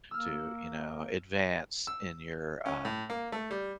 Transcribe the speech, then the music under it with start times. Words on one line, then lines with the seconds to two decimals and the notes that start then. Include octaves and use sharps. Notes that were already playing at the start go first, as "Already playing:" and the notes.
to, you know, advance in your, um,
0.11 A#3 E6 F6
1.87 E6
2.66 C#4
2.85 A2
3.10 A#3
3.32 A3
3.51 G3